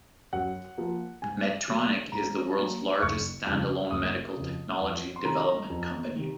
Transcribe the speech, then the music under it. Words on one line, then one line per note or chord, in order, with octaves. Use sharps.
Medtronic is the world's largest standalone medical technology development company.
F#2 F#5
F3 A#3
G#2 G#5
F#3 A#3
G#2 A#5
F#3 A#3
F#1 C#6
F2 C#3
F#1 D#6
F2 C#3
F2 F#5
C6
C3 D#3 A#5
F2
C3 D#3